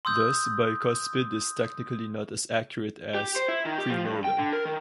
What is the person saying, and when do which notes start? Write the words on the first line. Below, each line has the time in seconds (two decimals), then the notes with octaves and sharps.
Thus, "bicuspid" is technically not as accurate as "premolar".
0.05 C6 D#6 E6 G6
3.15 G4
3.36 C5
3.48 E4
3.65 D#3
3.78 G4
3.90 F3
4.05 G2
4.24 G5
4.39 D3
4.53 A#4
4.65 D#3